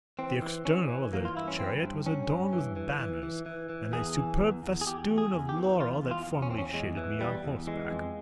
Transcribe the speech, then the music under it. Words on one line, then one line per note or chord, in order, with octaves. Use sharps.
The external of the chariot was adorned with banners, and a superb festoon of laurel that formerly shaded me on horseback.
E3 C4
E3
E3 C#4
E3
E3 A#3
F4
G2 E4
C#4
G2 C4
G2
G2 C#4
G2
E3
E3
E3
E3
E3
E3
E2 G#4
E3
E2
E2
G#4
E2 G4
E2
G#4
E2
G4
E3
E2 F4
E2
F4
E2
C#4
E2 C4
C#4
E2 G#3
E3
E2 G3
E2
E3 G#3
F2